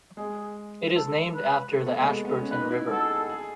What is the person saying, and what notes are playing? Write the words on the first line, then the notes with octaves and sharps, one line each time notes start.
It is named after the Ashburton River.
G#3 G#4
A4
B4
A3
B3
G#3
A3
B3
C#4
D#4 B4
E4
F#4 A4
G#4
A4
G#4